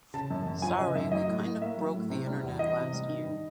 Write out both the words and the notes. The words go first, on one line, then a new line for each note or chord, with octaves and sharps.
Sorry we kind of broke the internet last year.
C#3 A5
F#2
F#2
F3 G#5
C#3 D#5
F#2 E5
F#3 D#5
A2
A2
A#3 E5
F#3
A2
C3
G3
E2
E3 D#5
C3
G3
D#3
G2